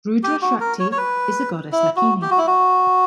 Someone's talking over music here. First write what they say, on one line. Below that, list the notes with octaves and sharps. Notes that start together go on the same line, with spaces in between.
Rudra's Shakti is the goddess Lakini.
G4
F#4
A#4
C#5
C#5
B4
E4
F#4
G4
F#4
E4
F#4